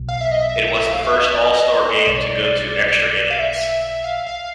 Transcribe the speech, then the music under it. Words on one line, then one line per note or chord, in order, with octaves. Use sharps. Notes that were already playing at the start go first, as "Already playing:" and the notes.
It was the first All-Star game to go to extra innings.
Already playing: B1 B2
F5
E5
D#5
E5
E5
F5
F5
E5
D#5
E5
D5
D#5
B1 B2 G3 D5
C#5
D5
F5
E5
F5
F5